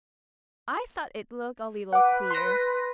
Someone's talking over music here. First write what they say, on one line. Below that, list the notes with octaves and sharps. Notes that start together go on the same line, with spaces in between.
'I thought it looked a little queer.
B4 F#5 D6
C6 A#6